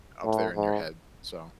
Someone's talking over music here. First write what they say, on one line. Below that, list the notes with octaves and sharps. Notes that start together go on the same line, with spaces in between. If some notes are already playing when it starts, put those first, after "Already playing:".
up there in your head. So,
A2
G#2